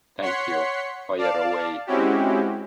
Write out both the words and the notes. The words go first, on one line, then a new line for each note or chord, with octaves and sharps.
Thank you; fire away.
C#5 F#5 C6 B6 C#7
D5 F5 A5
G#3 C4 C#4 E4 F#4 G4